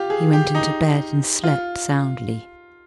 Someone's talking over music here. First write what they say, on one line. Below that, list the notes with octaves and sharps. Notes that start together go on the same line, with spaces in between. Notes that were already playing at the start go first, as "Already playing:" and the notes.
He went in to bed and slept soundly.
Already playing: F4 G4
G#4
G4
D#4
F4